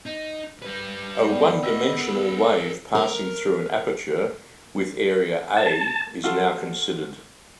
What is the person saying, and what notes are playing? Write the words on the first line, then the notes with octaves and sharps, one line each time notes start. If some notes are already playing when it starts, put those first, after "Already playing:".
A "one dimensional" wave passing through an aperture with area "A" is now considered.
D#4
G3 B4
B3 D5 G5
D#5 E5 E6
G#4 A#4
A#4
A5
F4 F#4 A4 F5